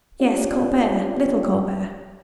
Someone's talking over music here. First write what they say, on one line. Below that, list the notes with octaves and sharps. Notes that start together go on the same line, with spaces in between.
"Yes, Colbert, little Colbert."
C#4 D4 F4 G4